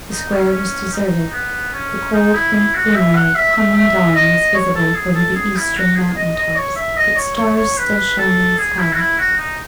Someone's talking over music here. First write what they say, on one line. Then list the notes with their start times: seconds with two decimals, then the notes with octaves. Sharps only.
The square was deserted, the cold faint glimmer of coming dawn was visible over the eastern mountain-tops, but stars still shone in the sky.
0.11 D#4
0.33 C#4
0.53 C#4
0.93 D#4
1.32 B3
1.73 C#4
2.13 D#4
2.34 E4
2.53 E4
2.74 F#4
2.94 E5
3.14 F#5
3.34 E5
3.55 E5
3.75 E5
4.15 D#5
4.54 C#5
4.75 A4
4.94 G#4
5.15 A4
5.35 G#4
5.56 E4
5.76 F#4
5.95 G#4
6.16 D#5
6.37 D#5
6.56 C#5
6.76 E5
6.97 D#5
7.16 C#5
7.36 C#5
7.56 C#5
7.77 B4
8.18 A4
8.58 G#4
8.78 E4
8.92 F#4
8.97 E4
9.18 F#4
9.37 D#4